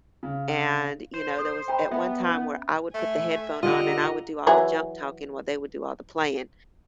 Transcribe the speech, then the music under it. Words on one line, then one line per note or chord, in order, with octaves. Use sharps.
and, you know, there was at one time where I would put the headphone on and I would do all the junk-talking while they would do all the playing,
C#3
C5
A4 D#6
G5 A#5 B5
B3 E5 B5
C#4
A3 E5 G#5
D3 F4 G4 D#5 F#5 A#5
E3 F#3 G#4